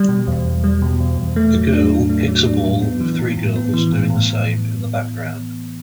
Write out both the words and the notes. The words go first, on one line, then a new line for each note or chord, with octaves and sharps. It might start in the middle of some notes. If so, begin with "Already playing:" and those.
A girl kicks a ball with three girls doing the same in the background.
Already playing: G3
B2
E2
E2
G3
B2
E2
E2
A3
F#3
D4
A2
A3
F#3
D4
A2
B3
E3
A2
A2
B3
E3
A2
A2